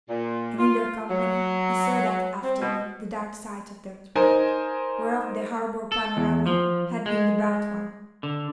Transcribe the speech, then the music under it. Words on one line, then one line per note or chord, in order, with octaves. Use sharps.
And in their company he saw that afternoon the dark side of that world, whereof the harbour-panorama had been the bright one.
A#2
F4
F#3
C4
B2
D#4 A#4 C5 G#5
A4
E2
F3
G#3
D3